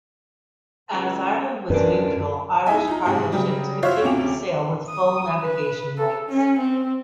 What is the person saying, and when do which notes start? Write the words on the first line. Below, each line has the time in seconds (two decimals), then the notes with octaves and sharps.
As Ireland was neutral, Irish cargo ships continued to sail with full navigation lights.
0.92 C#3 G#3
1.70 C#2 F#2 D4 A#4 B4
2.66 D#4 E4 G#4 D#5 E5 G#5
2.87 D#4 F4 A#5
3.06 G#2 C3 G4 G#4
3.32 C#3 F#3 G3 G4
3.83 F4 F#4 C5 C#5 E5 F5
4.02 D2 C3 C4 C#4 D6 F7
4.90 D#6
5.41 B4
5.98 A4
6.29 C#4
6.59 C4